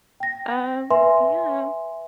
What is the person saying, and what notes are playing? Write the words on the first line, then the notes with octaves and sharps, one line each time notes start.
Um, yeah,
G5 A#6
B4 E5 G#5 C6